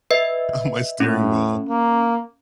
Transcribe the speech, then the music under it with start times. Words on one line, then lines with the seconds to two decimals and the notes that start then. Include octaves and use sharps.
on my steering wheel,
0.11 B4 D#5 E5
1.00 A2 C#4
1.69 A#3